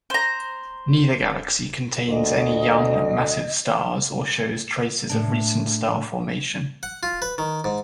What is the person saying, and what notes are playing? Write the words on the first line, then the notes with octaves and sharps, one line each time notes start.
Neither galaxy contains any young, massive stars or shows traces of recent star formation.
C5 A#5
D2 D#5
A2 D4
F#5
F4
B4
D#3
G#2